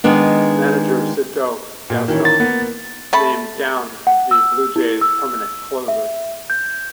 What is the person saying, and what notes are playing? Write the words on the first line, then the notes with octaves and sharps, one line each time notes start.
Manager Cito Gaston named Downs the Blue Jays' permanent closer.
D#3 G#3 B3 D4
A#2
D#3 E3 C#4
A6
A#3 B3
A3 A5 B5
F#5
E6
E4
E6
E5
G6